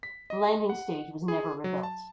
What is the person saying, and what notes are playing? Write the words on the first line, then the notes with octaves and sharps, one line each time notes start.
The landing stage was never rebuilt.
B6
D#5
F#5
G#4
F#3
A5